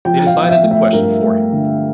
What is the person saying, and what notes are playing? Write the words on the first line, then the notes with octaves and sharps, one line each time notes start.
They decided the question for him.
F3 G5
F5
F3
F5
E5
A3
E5
G2 A#4
A3
D3